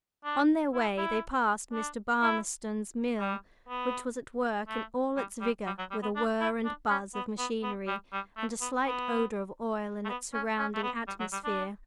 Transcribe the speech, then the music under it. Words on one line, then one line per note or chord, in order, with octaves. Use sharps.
On their way they passed Mr. Burmistone's mill, which was at work in all its vigor, with a whir and buzz of machinery, and a slight odor of oil in its surrounding atmosphere.
D4
E4
E4
D4
E4
G3
B3
A3
G3
G3
G3
F#3
G3
B3
D4
E4
D4
C#4
B3
B3
B3
G3
G3
A3
B3
B3
A3
B3
C#4
C#4
A3
B3
G3
F#3
G3
D4